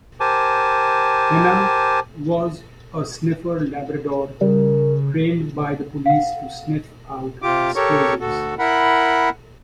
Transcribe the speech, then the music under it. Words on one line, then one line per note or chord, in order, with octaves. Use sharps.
Heena was a sniffer Labrador trained by the police to sniff out explosives.
G4 A#4 C5 G#5 A5
C#3 G3 A#4
F5 F#5
C3 F4 G4 D6
G4 A4 A#4 C#5 C#6
D2 F#4 A4
E4 A#4 F#5 B5